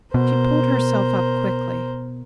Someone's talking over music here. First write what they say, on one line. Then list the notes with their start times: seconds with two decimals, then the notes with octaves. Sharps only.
She pulled herself up quickly.
0.14 B2 A#4 C5